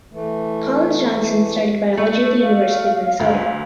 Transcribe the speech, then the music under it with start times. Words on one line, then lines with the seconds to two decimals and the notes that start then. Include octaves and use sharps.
Collins Johnson studied biology at the University of Minnesota.
0.13 E3 A3
1.97 A3
2.42 F5
3.19 D2